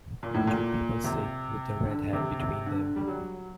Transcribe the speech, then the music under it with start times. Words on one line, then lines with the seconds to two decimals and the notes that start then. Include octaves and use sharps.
Two people sit with a red hat between them.
0.23 A#2
0.34 A2
0.47 A#2
1.04 C3
1.85 D3
2.13 C3
2.40 C3
2.66 D3
2.96 G3
3.07 F#3